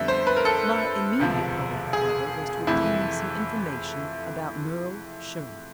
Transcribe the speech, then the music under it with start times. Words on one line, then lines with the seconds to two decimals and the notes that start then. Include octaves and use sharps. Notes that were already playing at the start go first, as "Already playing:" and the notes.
My immediate problem, however, was to obtain some information about Merle Shirley.
Already playing: F2 D3 G3 B3 E5
0.08 C5
0.27 B4
0.37 A#4
0.45 A4
1.20 E1 D2 C3 F3
1.93 G#4
2.67 F2 C3 E3 A3 E4